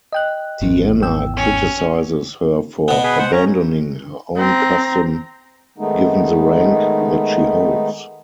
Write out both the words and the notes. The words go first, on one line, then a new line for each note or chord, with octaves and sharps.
Deanna criticizes her for abandoning her own custom given the rank that she holds.
D#5 G5 F#6
G#1 E2
G5 E6
C#4
B2 B3
G#4 B4
C5 F#5
C#4 A#5
C4 A#5
D#3 G#3 A3 B3 D#4